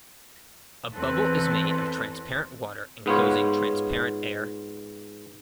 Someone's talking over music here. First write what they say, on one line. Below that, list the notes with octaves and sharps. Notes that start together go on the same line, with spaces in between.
A bubble is made of transparent water enclosing transparent air.
E2 E3 C4 A4 B4 F#6
G#2 B3 F4 C#5